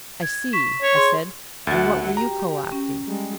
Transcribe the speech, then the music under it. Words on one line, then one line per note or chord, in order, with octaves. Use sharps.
"I see," I said, "and what were you co-opting?"
G#6
C#6 B6 E7
C#5
G#4 C6
D2 F#4 E5 F#5 A6
G4 A#5
C#4
G3 G#3